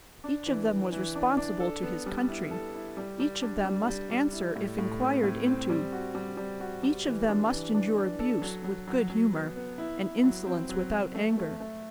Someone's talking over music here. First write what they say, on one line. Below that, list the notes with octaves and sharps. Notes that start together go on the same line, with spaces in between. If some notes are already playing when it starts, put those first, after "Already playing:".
Each of them was responsible to his country, each of them must answer if inquired into, each of them must endure abuse with good humour, and insolence without anger.
D4
E3
E3
E3
D4
D4
A4
B3
G3
E4
A4
E4
G3
G3
D4
G3
G3
G3
E4
A2
A2
C4
A2
C4
G3
F#4
G3
G3
F#4
G3
E3
D4
E3
D4
D4
A4
F#3
F#3
F#3
F#3
B3
B3
E4
E4
F#3
C4
F#3
F#3
A3
A3
A3